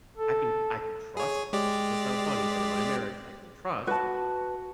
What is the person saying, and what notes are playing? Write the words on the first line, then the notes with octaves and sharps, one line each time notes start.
I can I can trust this is gonna sound funny, but in my marriage, I can trust
A4
G#4 C#5
G#3 G4 D5
F#4 B4 A5